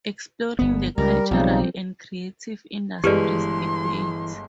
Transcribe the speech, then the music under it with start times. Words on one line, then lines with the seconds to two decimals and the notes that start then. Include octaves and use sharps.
"Exploring The Cultural and Creative Industries Debate".
0.59 G1 B3
0.97 C#2 G3 A#4 A#5
1.31 B1 C#3 F3 C4 D#4
3.04 G1 E3 G#3 G4 B4 D5 C6